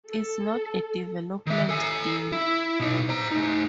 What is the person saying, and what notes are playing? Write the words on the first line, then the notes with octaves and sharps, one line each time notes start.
It's not a development deal.
A4
D#3 E5
A4 G#5
E4
B2 D#4
C5 A#5
A3 D#4